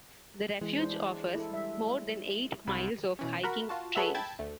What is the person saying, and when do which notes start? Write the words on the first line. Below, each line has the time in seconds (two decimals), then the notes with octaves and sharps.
The refuge offers more than eight miles of hiking trails.
0.61 E3 G#3
0.78 D4 E4 C5
1.35 E4 A4
1.52 G3 E5
2.67 C2 B5
3.19 B2 E3 C#4
3.43 F#4 A#4 B5
3.69 F4 F#4 A5
3.95 G#4 A4 B4 C#5 E5 F#5
4.15 G5 A5 B5 E6 G#6 A6
4.39 D2 A3